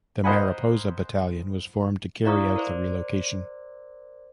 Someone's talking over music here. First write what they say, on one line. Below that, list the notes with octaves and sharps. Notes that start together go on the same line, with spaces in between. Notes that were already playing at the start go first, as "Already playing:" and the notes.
The Mariposa Battalion was formed to carry out the relocation.
A#4 C5 D#5 F#5 G#5 B5
E4 D5 F5 A#5 C#6 D#6
A#4 C5 D5